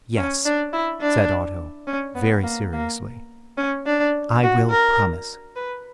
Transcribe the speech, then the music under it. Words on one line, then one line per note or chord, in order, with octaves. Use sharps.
"Yes," said Otto, very seriously, "I will promise."
C#4
D4
E4
D4
C#4
B3
A#3
A#3
C#4
D4
F#4
A#4
B4